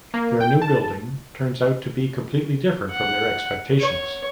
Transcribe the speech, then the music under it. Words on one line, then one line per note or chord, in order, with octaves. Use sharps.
Their new building turns out to be completely different from their expectations.
A#3
G5
A5
F#5
C#5